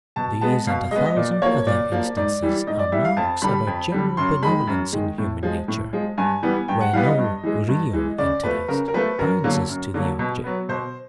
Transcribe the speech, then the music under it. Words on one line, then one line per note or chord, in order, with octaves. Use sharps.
These and a thousand other instances are marks of a general benevolence in human nature, where no REAL interest binds us to the object.
B2 A5
G#3 B3 A5
B2 F5
G#3 B3 D#5
D#5
A#2 D5
D5
F3 A#3 C#5
A#2 D5
F3 A#3
G#2 D5
E3 G3
G#2 D#5
D5
E3 G3 E5
F5
F2 A5
D3 G3 B5
F2
D3 G3
F#2 C6
D#3 G#3 B5
F#2
D#3 G#3
A2
F3 G#3
A2
F3 G#3
G2 G#5
E3 G3 B3
G2 G5
F#5
E3 G3 B3 F5
D#5
G2
E3 G#3
G2
E3 G#3
C#3 D5
F3 A3 B4
C#3 A#4
A#4
F3 A3 B4
F#2 A#4
D3 F#3 A#3
F#2
D3 F#3 A#3
B2
F#3 B3
B2 C5